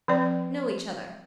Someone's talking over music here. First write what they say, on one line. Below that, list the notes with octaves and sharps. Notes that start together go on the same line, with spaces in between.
Know each other.'
F3 C4 D5